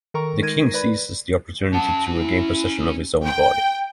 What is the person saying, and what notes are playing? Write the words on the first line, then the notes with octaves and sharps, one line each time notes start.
The king seizes the opportunity to regain possession of his own body.
D#3 A4 A#4 A#5 C#6
G#3 D#4 A#4 G#6 A#6 D#7
B4 D5 B5
C#4 F#5 A5
E4
G5